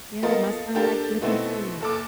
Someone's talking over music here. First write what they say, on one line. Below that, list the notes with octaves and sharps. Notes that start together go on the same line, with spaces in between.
Yeah, my son like Blippi too.
F3 A#3 B3 A4 A#4 D#5
A#3 D4 G4 A4 A#4
B2 A3 B3 C4 D#4 E4
F#1 A4 D6